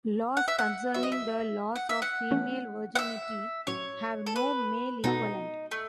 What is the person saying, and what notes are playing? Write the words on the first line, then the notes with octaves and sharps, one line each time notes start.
Laws concerning the loss of female virginity have no male equivalent.
F#5
E5
F#5
F#3 B3 F#4 B4 E5
D#5
E5
F#5
E5
F#5
E3 A3 C#4
F#5
E5
A2 F#3 C#4 C#5
A4
B4
B2 G#3 B3 D#4 F#4 A4
A3